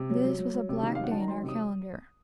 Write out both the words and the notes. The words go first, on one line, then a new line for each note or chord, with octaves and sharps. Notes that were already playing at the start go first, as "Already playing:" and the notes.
This was a black day in our calendar.
Already playing: C3
F#3
F#3
F#3
F#3
C3
D#3
F5
F#3 F#5
D#3 A5
A#5
F#3 C6
C3
D#6